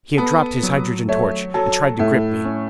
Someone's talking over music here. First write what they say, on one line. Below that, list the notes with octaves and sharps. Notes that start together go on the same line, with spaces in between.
He had dropped his hydrogen torch, and tried to grip me.
B3 A4
F#3
A3 C#5
F#3 A4
A2 A3
C#4